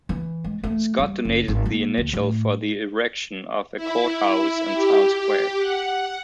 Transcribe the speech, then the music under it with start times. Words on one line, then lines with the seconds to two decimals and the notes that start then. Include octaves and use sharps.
Scott donated the initial for the erection of a courthouse and town square.
0.09 E3
0.44 G#3
0.64 A3
0.99 G3
1.25 F#1
1.48 G#1
1.66 A#2
1.98 D2
2.13 A2
3.77 E4
4.74 G4
5.59 F#5